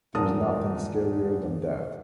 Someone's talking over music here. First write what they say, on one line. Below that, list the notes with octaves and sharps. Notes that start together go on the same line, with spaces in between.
There is nothing scarier than that.
D#1 E2 A#4 A5 D#6